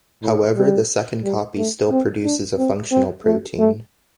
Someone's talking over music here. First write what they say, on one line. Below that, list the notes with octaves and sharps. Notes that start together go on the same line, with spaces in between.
However, the second copy still produces a functional protein.
A2
G3
G3
A3
C4
D4
C4
C4
A3
A3